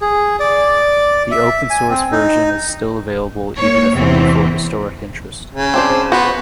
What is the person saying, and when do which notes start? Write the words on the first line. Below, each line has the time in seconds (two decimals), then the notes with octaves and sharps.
The Open Source version is still available, even if only for historic interest.
0.01 G#4
0.40 D5
1.32 E5
1.70 G#5
1.89 C4
2.12 D#4
3.57 A#3 C#5
3.92 E2 C3 E3 C4
5.55 C#3
5.74 C4 D4 C5
6.12 B3 F#4 C5